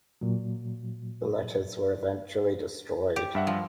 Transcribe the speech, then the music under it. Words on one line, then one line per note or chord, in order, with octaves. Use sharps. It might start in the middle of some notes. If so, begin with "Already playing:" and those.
The letters were eventually destroyed.
A#2 F#3
G4
G2 E5 F#5
F3